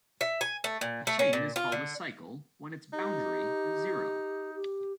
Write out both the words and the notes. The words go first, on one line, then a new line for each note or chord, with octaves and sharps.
A chain is called a cycle when its boundary is zero.
E5
G#5
A3
A#2
A3
C#4
A#2
F4
D3
D#4 G4
G4